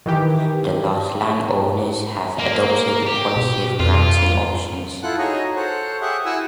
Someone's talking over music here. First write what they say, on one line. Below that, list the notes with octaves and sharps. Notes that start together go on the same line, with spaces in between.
The large landowners have adopted the policy of granting options.
D#3 E3 G4
A#3
G4
B2
F2 F4
E4 F4 A4 F#5 F#6
D#4 F#4 G#4 C#5 D#5
A4 C5 C#5 F#5
G4 G#4 E5 F#5
E4 F#4 F#5 G#5 E6